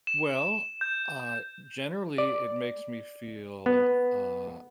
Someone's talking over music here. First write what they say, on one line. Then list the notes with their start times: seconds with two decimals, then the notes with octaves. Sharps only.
Well, uh, generally, it makes me feel, uh,
0.07 E7
0.81 G6
2.18 D5
3.66 B3